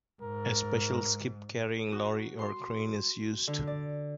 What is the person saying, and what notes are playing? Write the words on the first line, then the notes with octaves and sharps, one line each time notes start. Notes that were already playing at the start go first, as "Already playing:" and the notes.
A special skip-carrying lorry or crane is used.
G#2 A#4
F#4
C6
D3
D5